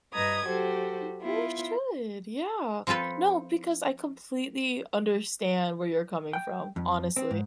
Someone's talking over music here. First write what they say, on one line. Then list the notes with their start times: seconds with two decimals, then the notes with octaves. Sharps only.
You should, yeah. No, because I completely understand where you're coming from, honestly.
0.14 G2 B4 D#5 A#5 D#6 G#6
0.45 F#3 F#4 G4 A4 C5
1.21 B3 E4 F4
2.87 F3 C4 F4 A4 B4
6.33 G5
6.76 F2
7.17 C4
7.31 G#2